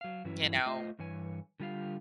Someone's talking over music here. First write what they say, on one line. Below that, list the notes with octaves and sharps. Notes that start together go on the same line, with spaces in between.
you know,
F#3 F5
G2 E3 F#3 C#4 E4
A3 F4 C5 D#5
G2 E3 C#5 G#5
D3 G3 F4 G4 F5